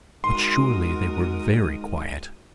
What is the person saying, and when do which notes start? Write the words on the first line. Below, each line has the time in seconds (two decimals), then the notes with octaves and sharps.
But surely they were very quiet!
0.24 G#2 F#4 A#4 C6 D#6